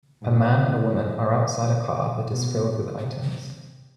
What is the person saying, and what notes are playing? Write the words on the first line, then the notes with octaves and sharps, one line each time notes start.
A man and a woman are outside a car that is filled with items.
G#2
A2
B2
C3